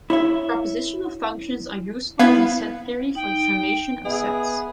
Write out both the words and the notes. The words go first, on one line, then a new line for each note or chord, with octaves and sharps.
Propositional functions are useful in set theory for the formation of sets.
E4 C#5 E5
B3 E4 F5 G#6
D#4 G5
B3 G#4 D#5 E5